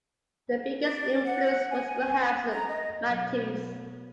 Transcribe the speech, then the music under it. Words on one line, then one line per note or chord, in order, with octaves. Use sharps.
The biggest influence was perhaps Matisse.
D5
F#5
G#5
A#5
D#5
B2 F#3 B3